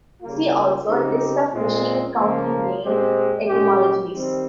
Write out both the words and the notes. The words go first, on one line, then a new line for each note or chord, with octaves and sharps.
"See also", List of Michigan county name etymologies.
C#3 G3 A#3 F4
C#3 G3 C4 D#4 G4
A#2 G#3 C4 F4
C#3 F3 A#3
A#2 G#3 C4 G4 C5
A#2 G#3 C#4 G4
D#3 G3 C4